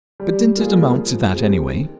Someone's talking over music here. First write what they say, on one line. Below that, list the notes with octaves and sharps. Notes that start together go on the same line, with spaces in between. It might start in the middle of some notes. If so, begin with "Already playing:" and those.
"But didn't it amount to that anyway?"
G3
A#3 F4 G#4
F3
G#3 C4 G4
D#3